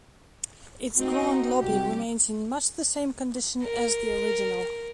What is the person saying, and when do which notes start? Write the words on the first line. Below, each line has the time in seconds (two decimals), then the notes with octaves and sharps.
Its grand lobby remains in much the same condition as the original.
0.97 C4 D#4 F#4
1.60 C2 G4
3.63 A#4